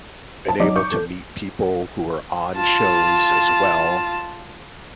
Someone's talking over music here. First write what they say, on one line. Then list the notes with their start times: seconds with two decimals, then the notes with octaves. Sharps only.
been able to meet people who are on shows, as well,
0.45 C5 A5
0.60 F#3 D#4 D5 D6
0.76 C#6 D6 G6
0.92 A4
2.56 F4 A5